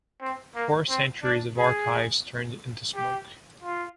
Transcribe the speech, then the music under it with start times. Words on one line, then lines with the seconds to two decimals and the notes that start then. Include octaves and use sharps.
Four centuries of archives turned into smoke.
0.20 C4
0.55 A#3
0.89 C4
1.23 D4
1.57 G#4
2.94 G4
3.63 F4